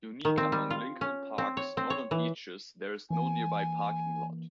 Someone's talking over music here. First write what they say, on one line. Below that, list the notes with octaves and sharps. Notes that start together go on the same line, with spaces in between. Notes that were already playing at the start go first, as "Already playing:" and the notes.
Unique among Lincoln Park's northern beaches there is no nearby parking lot.
D#3
C4
G3
F4
C#4
C4
C#5
C4
C#5
E3
E3 A#3 G#5